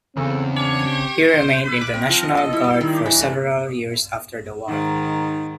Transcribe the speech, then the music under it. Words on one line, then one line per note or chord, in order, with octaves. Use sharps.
He remained in the National Guard for several years after the war.
E2 C#3 C4 A4
D4
G4
D6
C4
F3
D#5
D#5
E4
G3
D#3
D4
E3
A3
G#2 D#3 D#4